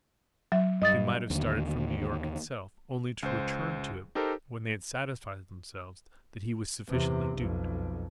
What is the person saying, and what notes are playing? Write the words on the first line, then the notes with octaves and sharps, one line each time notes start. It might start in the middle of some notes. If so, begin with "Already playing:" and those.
They might have started FROM New York itself--only to return to it when they had satisfied themselves that he was sufficiently duped.
F#3 E5
G2 D#5 D#6 A6
D#2 D3
C#2 C5
D#4 G4 A4 A#4 C5
E2 C3
B1 F2